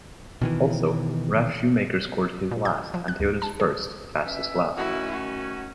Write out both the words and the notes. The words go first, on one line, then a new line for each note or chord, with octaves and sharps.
Also, Ralf Schumacher scored his last, and Toyota's first, fastest lap.
B2 D#3 E3
A#2
G6
F3
F#6
D2
A5
G#4
B2 C#4 E5
D#3 A3 C#4 E4 F#4
F#4